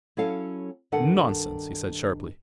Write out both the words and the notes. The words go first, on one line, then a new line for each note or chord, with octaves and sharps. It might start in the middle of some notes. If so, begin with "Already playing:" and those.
"Nonsense," he said, sharply.
F#3 C#4 E4 A4 F5
G2 D#3 D4 A4 B4 F#5